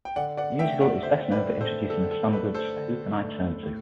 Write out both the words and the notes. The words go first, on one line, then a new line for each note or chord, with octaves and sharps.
The musical is best known for introducing the standards Who Can I Turn To?
G5
D3 D5 F#5
D5 F#5
A3 D4 E5 G5
D5 F#5
D3 C5 E5
B4 D5
A3 D4
A4 C5
D3 A4
A4
A3 D4 B4
A4 C5
D3
A3 D4
A2